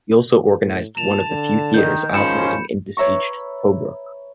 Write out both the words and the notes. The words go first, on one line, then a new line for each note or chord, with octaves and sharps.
He also organized one of the few theaters operating in besieged Tobruk.
A2
A#2 A5 E7 F7
D3
D#3 G6
G#2 D#3 F3 C#4 C5 B5 C#7 E7
B4 C#5 E5 A#5 C#6